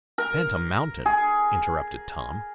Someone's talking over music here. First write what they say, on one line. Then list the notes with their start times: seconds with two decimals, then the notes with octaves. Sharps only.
"Phantom Mountain?" interrupted Tom.
0.18 A#4
1.06 G#4